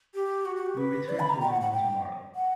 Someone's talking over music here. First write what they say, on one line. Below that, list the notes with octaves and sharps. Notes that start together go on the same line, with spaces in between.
We return to London tomorrow.
G4
F#4
F#4
G4
B4
D5
B5
A#5
G5
F#5
F#5
G5
F#5